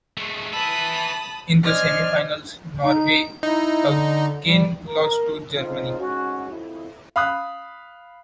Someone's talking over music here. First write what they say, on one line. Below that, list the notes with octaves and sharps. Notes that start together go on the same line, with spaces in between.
In the semi-finals, Norway again lost to Germany.
G#3 A3
B4 E5 A5 B5 D#6
D4 C5 D#5 G#5 F6
D#4
D#4 E4
D3
G3
A#4
C#3 F3 C4 D#4 F4
G#2 C#4 F#4
F2 E4
F5 B5 D#6 F#6